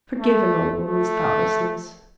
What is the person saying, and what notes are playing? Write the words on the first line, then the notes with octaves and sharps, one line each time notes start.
Forgive an old woman's thoughtlessness.
A3
A3